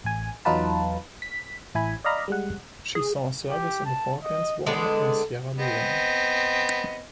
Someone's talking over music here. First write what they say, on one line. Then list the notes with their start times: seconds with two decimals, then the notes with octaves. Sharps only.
She saw service in the Falklands War and Sierra Leone.
0.04 A1 G#5
0.45 E2 F#3 D#4 F4 B4 A5
1.22 B6
1.75 A1 E4 G#5 B5
2.04 D5 D#5 F5 A#5 B5
2.28 G3 G#3 F#5
2.95 G#4
3.49 G4
3.85 A5
4.23 D#5
4.66 D3 G#3 B3 D4
5.58 B3 C4 D#5